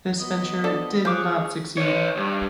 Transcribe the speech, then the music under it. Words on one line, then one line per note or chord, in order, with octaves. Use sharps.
This venture did not succeed.
B3 D#5
D4 A4 C5
F3 G#4 C5 C#5 D6 F#6
B4 C#5
G2